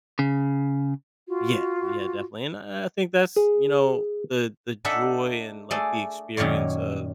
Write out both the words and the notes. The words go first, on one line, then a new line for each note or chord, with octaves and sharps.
Yeah yeah, definitely, and I I think that's, you know, the the joy and, like, the experience of
C#3
F4 F#4
G#4
D4 D#4 A4 E5 F#5
A3 G#4 D5
F#2 A#2 D#3 C#5 D5